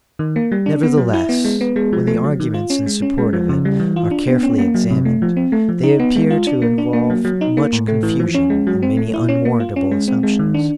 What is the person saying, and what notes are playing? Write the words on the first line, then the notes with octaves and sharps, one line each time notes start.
Nevertheless, when the arguments in support of it are carefully examined, they appear to involve much confusion and many unwarrantable assumptions.
D#3
A#3
G3
D4
B3
F#3
E4
B3
G#3
B3
G#3
F3
A3
F#3
D#3
F4
C#4
G#3
C#4
G#3
F3
C#3
G3
E3
F4
D4
B3
C#4
A#3
F#3
C3
A3
F3
C4
A3
F3
D#4
B3
G#3
F4
D4
A#3
D4
A#3
F#3
F#3
D#4
A#3
A2
A3
E3
F3
C#4
G#3
F#3
C4
A3
E4
C#4
A#3
F4
C#4
G#3
C4
G#3
D#3
D4